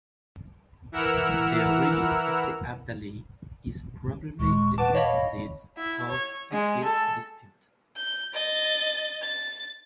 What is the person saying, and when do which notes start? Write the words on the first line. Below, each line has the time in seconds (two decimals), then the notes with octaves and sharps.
The origin of the Abdali is probably the Hephthalites though it is disputed.
0.92 E3 E4 A#4 F#5 E6 F6
4.39 D#1 G#3 C#6
4.78 B4 F#5 A5 D6
4.95 C#5 D#5 F5 B5
5.77 E4
6.09 C#5
6.52 G#3
6.84 A4
7.97 G6
8.34 D#5 A6
9.21 A6